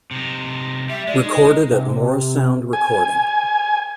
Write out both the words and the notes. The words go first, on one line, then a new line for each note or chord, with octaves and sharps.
Recorded at Morrisound Recording.
C3 D#4
G3 G4 E5
G#3 D5
D#4
C3
G#5